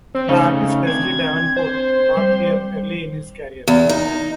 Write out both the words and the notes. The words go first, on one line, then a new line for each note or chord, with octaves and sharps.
The artist Leslie Davenport taught here early in his career.
C4
C#3 A3 D#4 D#5
C4 D4 G#6
C5
G3
E2
D#4